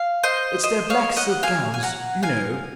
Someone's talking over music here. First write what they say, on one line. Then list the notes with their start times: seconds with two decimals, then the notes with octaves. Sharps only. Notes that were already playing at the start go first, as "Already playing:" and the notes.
"It's their black silk gowns, you know."
Already playing: F5
0.23 C5 D#5
0.63 C5 D#5
0.90 C#5 F5
1.16 D#5 F#5
1.43 F5 G#5
1.74 G#5
1.83 F#5 A#5
2.23 F5 G#5